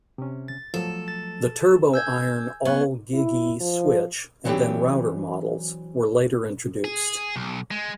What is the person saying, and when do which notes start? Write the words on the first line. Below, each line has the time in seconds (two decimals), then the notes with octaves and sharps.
The TurboIron all GigE switch and then router models were later introduced.
0.18 C3 C#4
0.48 A6
0.74 F3 F#3 A3 A4
1.08 A6
1.94 G#5 E6 G6 G#6
2.65 B3 C#5 F5 C#6 F#6
3.13 E4
3.60 F3
4.45 E3 F#3 C4 D4 G4
6.84 G#4
7.36 B1
7.71 G#3